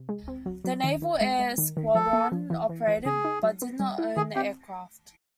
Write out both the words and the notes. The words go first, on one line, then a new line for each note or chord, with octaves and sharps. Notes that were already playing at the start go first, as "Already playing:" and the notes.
The Naval Air Squadron operated but did not own the aircraft.
Already playing: C3
G#3
C4
F#3
F#3
D#3
D#3
G#3
G#3
D#3
D#3
F3 A4
A#3
F3
E3
E3
E3
C#3 G#4
D#4
F#3
B3
G3
E4
D#3 G#4
C4 G4